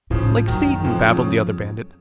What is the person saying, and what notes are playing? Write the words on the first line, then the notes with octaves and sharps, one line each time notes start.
"Like Satan!" babbled the other bandit.
A2 C#3 F3
F#2 D#3 F#3
D#3
F2 C#3 F3
C#3